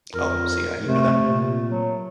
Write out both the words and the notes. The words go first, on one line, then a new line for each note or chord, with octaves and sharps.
Oh, see, I didn't know that.
F2 A#4
C3 A3
A#2
F#3